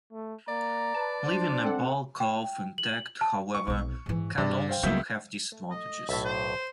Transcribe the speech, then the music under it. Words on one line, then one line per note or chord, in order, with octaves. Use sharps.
Leaving a bull calf intact however, can also have disadvantages.
A3
A#3 D5 A#5
B4 A5
D4 C5
C4 A4 F#5
G5
F#7
A5
C#6
B1 C3
G#2 E3
G2 C#3 D5
C5 F5 G5
C#2 F#3 G3 A#3 B3 E5 G6
A3
D#5
B1 A2 E5
C5